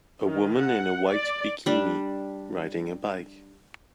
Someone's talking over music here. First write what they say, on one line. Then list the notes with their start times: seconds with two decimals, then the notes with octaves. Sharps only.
A woman in a white bikini riding a bike.
0.25 D#3
0.58 F#5
1.09 D5
1.66 G3 D4